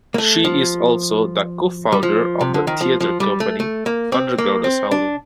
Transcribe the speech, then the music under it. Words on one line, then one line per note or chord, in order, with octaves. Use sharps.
She is also the co-founder of the theater company Underground Asylum.
A#3
A3
F3
G3
F3
C3
D3
D#3
F3
F3
G3
A3
A3
A#3
C4
A#3
C4
D4